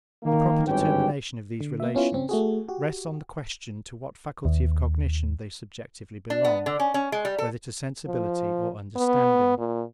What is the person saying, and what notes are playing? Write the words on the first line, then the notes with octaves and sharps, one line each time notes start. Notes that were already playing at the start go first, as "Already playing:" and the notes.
The proper determination of these relations rests on the question, to what faculty of cognition they subjectively belong, whether to sensibility or understanding?
D#3 A#3
G#1 G2 C#4 G4 B4 G5
D3
A#3 E5
B3 C#4 E4 F4
C#3 C4 C#4
A3 F#4 G#4
F#4 G4
D#2
D4
B3
D3
C#4
C#4
G#3
G3
A4
F3
B3
A#2